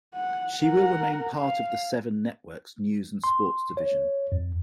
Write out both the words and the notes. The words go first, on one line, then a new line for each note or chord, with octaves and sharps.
She will remain part of the Seven Network's news and sport division.
F#5
A#4 F#5
F5
C6
C#5
F2